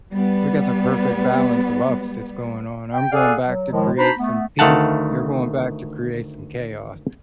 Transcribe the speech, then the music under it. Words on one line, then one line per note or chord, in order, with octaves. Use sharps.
we got the perfect balance of opposites going on. I'm going back to create some peace, you're going back to create some chaos.
G3 B3
G5
G#4 A4 D5 F5 F#5 G#5
F#3
A2 D#3 F3 G#3
D4 D#4 F#4 C5 A#5 B5
A3 B3
D2 D#3 A3 F5 F#5 A5